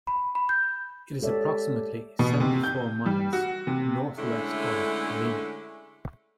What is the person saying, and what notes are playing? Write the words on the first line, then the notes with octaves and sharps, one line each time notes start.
It is approximately seventy-four miles northwest of Helena.
B5
B5
G6
G#3 G4 A4 C#5 D5 E5
B2
C3
G6
G3
F#4
C3
D3 G#3 A3 C#4 D4 E4